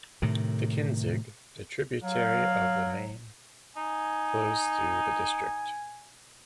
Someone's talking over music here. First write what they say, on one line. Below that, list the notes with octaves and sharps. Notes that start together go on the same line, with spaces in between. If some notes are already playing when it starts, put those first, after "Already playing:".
The Kinzig, a tributary of the Main, flows through the district.
A2 C3 D#3
F#3 F5
D#4 G#5